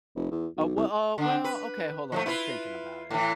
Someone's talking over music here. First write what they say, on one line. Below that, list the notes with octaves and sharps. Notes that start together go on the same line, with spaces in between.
Uh, we uh, well, okay, hold on, I'm thinking about it,
F1
E2
B1
C2
D3 D4
B4
F3 G#3 A3
E4 F4 B4
A2 E3